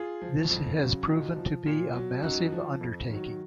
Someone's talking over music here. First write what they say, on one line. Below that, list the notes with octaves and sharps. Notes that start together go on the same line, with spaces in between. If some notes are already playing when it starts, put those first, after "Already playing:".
This has proven to be a massive undertaking.
Already playing: F4 G#4
F3
F2
C#3 F#3
A#2 D#4 F#4
F3
A#2
F#3
F#2 D#4 F#4
F3
F2
D#3 F#3